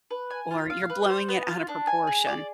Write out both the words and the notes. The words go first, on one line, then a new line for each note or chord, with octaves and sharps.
or, "You're blowing it out of proportion."
B4
G#5
F4
F5
B4
C5
B3
F4
D4
G#5
G#4
D5